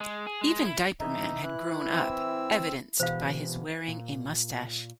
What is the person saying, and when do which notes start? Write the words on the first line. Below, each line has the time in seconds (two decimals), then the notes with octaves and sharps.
Even Diaper Man had grown up, evidenced by his wearing a mustache.
0.01 G#3
0.26 G#4
0.41 G#3
0.65 E4
1.00 E3 D#4 E5
1.44 E3 E4 F#6
1.93 C4 E6
3.00 B2 E3 C5 F5
3.88 A#2